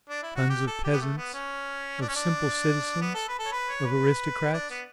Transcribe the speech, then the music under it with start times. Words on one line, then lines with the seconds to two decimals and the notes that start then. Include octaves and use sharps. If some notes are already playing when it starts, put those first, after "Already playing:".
Sons of peasants, of simple citizens, of aristocrats?
0.10 D4
0.23 E4
0.36 F#4
0.50 G4
0.67 A4
0.84 G4
0.93 B3
1.01 A3
1.18 B3
1.34 C#4
2.01 D4
2.08 C#4
2.16 D4
3.01 B3
3.15 A4
3.29 B4
3.39 A4
3.45 C#5
3.53 B4
3.69 C#5
3.86 B4
4.53 D4
4.70 B3